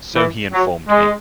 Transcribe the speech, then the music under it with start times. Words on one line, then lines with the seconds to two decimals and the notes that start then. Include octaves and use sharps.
So he informed me.
0.15 E3
0.52 F#3
0.89 G#3